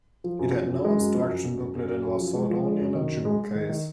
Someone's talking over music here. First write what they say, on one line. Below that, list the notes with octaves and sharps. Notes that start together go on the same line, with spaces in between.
It had no instruction booklet and was sold only in a jewel case.
F3
F#2
F3
F#2
G#3
F#2
F3
F#2
F#2
F#2
F#2
F#2
F#2
F3
G#3
F3
G#3
F#2
D#3
F#2
G#3
G#3
D#3
D#3